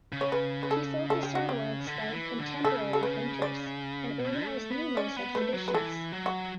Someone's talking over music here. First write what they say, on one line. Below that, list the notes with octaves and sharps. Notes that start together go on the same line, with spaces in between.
He focused on works by contemporary painters and organised numerous exhibitions.
C#3
C#5
B4
B4
A4
A4
G4
F#4
G4
D3
E3
D3
C#3 A4
A4
B4
D5
B2
A3
B3
C#4 D5
B3
A3 B4
F#3
B4
E3 A4
F#3
F#4